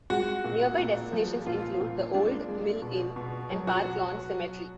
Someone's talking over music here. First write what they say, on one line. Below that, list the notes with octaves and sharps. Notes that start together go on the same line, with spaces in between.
Nearby destinations include the Old Mill Inn and Park Lawn Cemetery.
G#3 F#4
A#2
A#2
F3
A#2 F4
A#2
G#3 D4
G#3
B2
B2
F#3
F#4